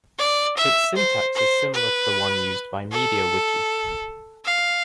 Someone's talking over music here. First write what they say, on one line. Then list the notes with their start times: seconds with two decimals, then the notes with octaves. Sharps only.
Its syntax is similar to the one used by MediaWiki.
0.19 D5
0.57 E5
0.96 C5
1.35 C5
1.74 B4
2.91 A4
4.45 F5